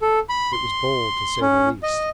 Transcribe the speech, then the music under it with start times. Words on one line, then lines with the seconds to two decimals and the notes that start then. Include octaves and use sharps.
It was bold, to say the least.
0.02 A4
0.29 B5
0.52 C6
1.41 C#4
1.83 D#5